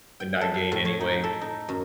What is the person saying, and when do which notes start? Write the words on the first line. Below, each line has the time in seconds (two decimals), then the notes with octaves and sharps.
and not gain any weight.
0.20 G5
0.41 A4
0.72 A2
0.85 C#5
1.01 D#4
1.23 A4
1.41 D#4
1.69 F#2